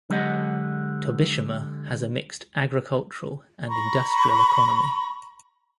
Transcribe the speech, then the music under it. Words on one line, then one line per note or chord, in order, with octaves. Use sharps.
Tobishima has a mixed agricultural and industrial economy.
D3 F#3 G#3 G4 D#5 F#5
A#5 B5 C#6